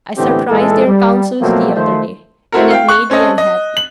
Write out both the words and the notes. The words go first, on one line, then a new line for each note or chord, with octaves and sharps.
I surprised their councils the other day, and it made me unhappy.
A2 D3 E3 B3 C4 G4
A#2 E3 G#3 A4
G3
B2 F3 F#3 A3 A#3 C4
D#3 F3 A3 C5
A3 C4 E4 F#4 A4 A#4
F5 G5
C#6 F#6
C4 C#4 A4 D#5 A5
D#5
F#7